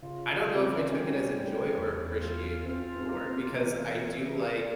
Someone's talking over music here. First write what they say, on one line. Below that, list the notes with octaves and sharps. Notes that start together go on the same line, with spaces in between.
I don't know if I took it as enjoy or appreciate more because I do like
C#3 F4
F4
C#3
C4
C#4
G3 C#4
G3
E2
F4
C4 F4
C4
A#3
C4
E3